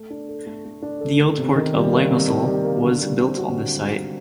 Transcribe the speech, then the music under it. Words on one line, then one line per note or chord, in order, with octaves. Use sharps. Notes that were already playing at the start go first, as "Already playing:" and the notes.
The old port of Limassol was built on this site.
Already playing: A3
D4
A4
A3
A3
D4
A4
A3
C3
D#3
G3
A#3
C3
D#3
G3
A#3
D3
G3
C4
F#4
D3
G3
C4